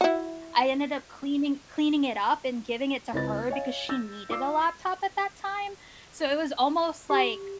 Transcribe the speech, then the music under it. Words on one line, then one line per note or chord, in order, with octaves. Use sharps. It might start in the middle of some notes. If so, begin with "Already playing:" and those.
I ended up cleaning cleaning it up and giving it to her because she needed a laptop at that time. So, it was almost, like,
E4 F#4
C#2 C4 E4 B4 D#5 A6
C#5 D#5 F5 G#5
E6 G6 A6 A#6
F4 D5 D6 E6 C7
G4